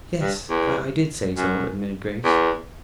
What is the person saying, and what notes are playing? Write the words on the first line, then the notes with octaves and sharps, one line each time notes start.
"Yes, I did say so," admitted Grace.
G2
E2
F#2
E2